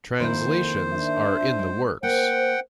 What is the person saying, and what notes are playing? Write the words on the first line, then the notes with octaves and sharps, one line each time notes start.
Translations are in the works.
F2 D#3 A#3 E4 C5
D4 E5
G#3
A#3 C5 F#5 G5